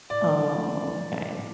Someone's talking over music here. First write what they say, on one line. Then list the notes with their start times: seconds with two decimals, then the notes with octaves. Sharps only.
Oh, okay.
0.10 A2 D5
0.53 F3
0.94 F3
1.37 A2